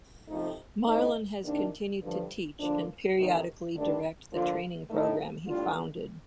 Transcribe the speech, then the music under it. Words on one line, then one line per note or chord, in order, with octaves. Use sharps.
Marlan has continued to teach and periodically direct the training program he founded.
C3 F3 A3 D#4
A2 A3 C4 D#4
C3 D#3 A#3 D4
G2 D3 F3
D3 F3 A#3 D4
C3 D#3 A3 D#4
G2 D3 A3 D4
D3 F3 A#3 F4
A2 A3 D#4
A2 G3 D4 F4